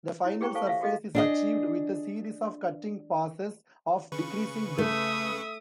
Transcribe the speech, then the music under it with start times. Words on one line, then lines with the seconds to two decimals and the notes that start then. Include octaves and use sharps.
The final surface is achieved with a series of cutting passes of decreasing depth.
0.25 E4 C#5
0.41 G4 G#4 A#4 G5 A#5 C#6
0.54 A4 C5 F5 G#5 A5 C#6
0.67 E5 F5
0.81 F#4 G4 A4 D#5 F5
1.15 D4 G#4 D#5
4.12 C#3 B4 C#6
4.78 A3 E5 D#6